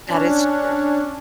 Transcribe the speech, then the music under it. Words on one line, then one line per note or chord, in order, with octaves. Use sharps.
That is true.
C#4 D4